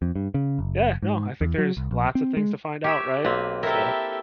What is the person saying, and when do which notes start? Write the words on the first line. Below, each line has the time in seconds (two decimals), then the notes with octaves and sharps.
Yeah, no, I think there's lots of things to find out, right? So,
0.02 F2
0.16 G2
0.34 C#3
0.59 F#1
1.02 G#2
1.41 E2
1.58 F#3
1.77 C2
1.91 A#1
2.15 C4
2.37 G#3
2.84 G4 C#5 E5
3.25 B1 A#3 C4 B4
3.63 E4 G4 A4 A#4 E5